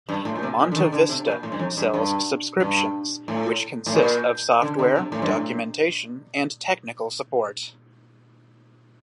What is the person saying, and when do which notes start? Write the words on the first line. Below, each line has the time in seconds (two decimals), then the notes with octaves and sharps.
MontaVista sells "subscriptions", which consist of software, documentation, and technical support.
0.09 G2
0.25 A2
0.35 A#2
0.43 C3
0.60 A#2
0.72 D3
0.76 D#3
0.92 D3
1.09 C3
1.27 A#2
1.43 A2
1.52 G2
1.60 F2
1.77 G2
1.94 G2
2.60 G2
3.28 A2
3.86 A2
3.95 A#2
4.62 D3
4.79 D3
4.96 C3
5.12 A2
5.22 G2
5.32 A2